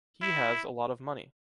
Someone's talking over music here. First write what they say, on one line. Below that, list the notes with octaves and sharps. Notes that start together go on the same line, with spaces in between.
He has a lot of money.
E4